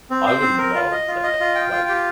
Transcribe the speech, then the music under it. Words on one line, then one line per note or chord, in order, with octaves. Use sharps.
I would love that, like
C4
C5
C4
A#4
F4
D#5
F4
D#5
F4
G5
F4
G4